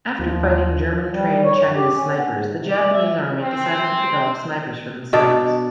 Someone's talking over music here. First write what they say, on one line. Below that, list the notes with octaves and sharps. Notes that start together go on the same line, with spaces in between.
After fighting German-trained Chinese snipers, the Japanese Army decided to develop snipers for themselves.
D#2 F3
G3
C#5
F#2
G4
C#4
B3
G#2
C3
D5
E5
C4
B2 D4 D5 D#5